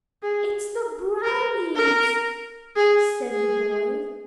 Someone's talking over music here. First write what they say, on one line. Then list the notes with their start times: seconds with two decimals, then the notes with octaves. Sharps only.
"It's the brownies," said the boys.
0.23 G#4
1.24 A#4
1.76 A#4
2.77 G#4
3.28 G#4